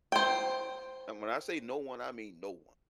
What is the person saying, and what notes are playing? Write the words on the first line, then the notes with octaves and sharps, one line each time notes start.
And when I say no one, I mean no one.
C5 G5